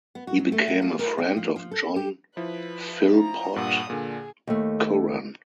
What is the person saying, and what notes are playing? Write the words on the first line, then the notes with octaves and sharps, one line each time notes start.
He became a friend of John Philpot Curran.
B3
F#4
F#3
A3
F#3
F4
A#4
C4
F3
F3
A4
G4
F3 E4 B4
A#5
G2 A#2 F#5 D#6
A#2 D3 G#4
D#2 A3